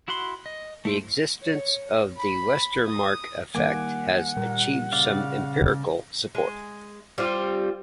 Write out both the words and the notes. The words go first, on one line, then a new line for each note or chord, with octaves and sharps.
The existence of the Westermarck effect has achieved some empirical support.
E4 F#4 F#5 B5 C6
D#5
A3 E4 C5
C#5
B5
D#6
D#3 G3 A#3 F#5 G#5 D6
A#2 G3 A#4
C#3 D5 F5
G#3
G3 C4 F4